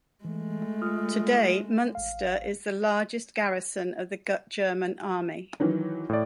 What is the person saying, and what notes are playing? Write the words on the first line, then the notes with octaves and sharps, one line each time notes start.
Today, Munster is the largest garrison of the German Army.
E3 G#3 A3
F4 D#6 F6
A1 F5
D#3 E3 F#3
A2 D5